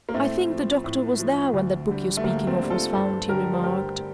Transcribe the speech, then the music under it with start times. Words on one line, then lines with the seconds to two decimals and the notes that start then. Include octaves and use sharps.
"I think the doctor was there when that book you're speaking of was found," he remarked.
0.09 A#3
0.14 A2 A3 C4
0.49 F3
0.84 A2
1.20 F3
1.53 D2
1.89 D3 G3
2.17 A3
2.24 D2 A#3
2.47 A3 C4
2.59 D3 G3
2.70 F4 A4
2.93 G2 A4 C5
3.28 D3 G3 G4 A#4
3.54 C5
3.63 G2 G4 A#4
3.98 G3